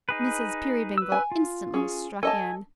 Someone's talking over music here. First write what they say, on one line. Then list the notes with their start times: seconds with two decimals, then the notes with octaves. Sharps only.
Mrs. Peerybingle instantly struck in.
0.09 D#4 G#4 B4
0.98 B4 E6
1.12 G#5
1.32 F4
1.74 C#4 G#4
2.23 A4 D#5 G#5 A5